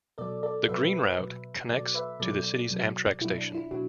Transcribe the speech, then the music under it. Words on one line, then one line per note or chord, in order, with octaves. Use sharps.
The Green Route connects to the City's Amtrak station.
B2 F#3 A4 D5
A4 D5
B2 F#3 B4 E5
B2 F#3
B2 F#3 A4 D5
B4 E5
B2 F#3 A4 D5
B2 F#3
B2 F#3 E4
D4
E4
B2 F#3 D4 F#4